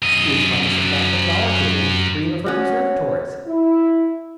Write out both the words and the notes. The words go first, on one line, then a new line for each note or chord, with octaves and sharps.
She has promised to stock the flower table with the cream of her conservatories.
F#2 D#5
C#4 F#4
E4